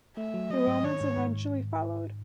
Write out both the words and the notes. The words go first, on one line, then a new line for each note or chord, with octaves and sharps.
The Romans eventually followed.
A3 E5
F#3
F#3 D#5
G#2
D#3 C#5
G#2
G#2